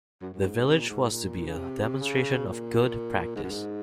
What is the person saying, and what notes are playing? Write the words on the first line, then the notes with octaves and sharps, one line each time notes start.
The village was to be a demonstration of good practice.
F#2
F#2
G#2
C3
A#2
G#2
A#2
C#3
C3
C#3
A#2
G#2
F#2
G#2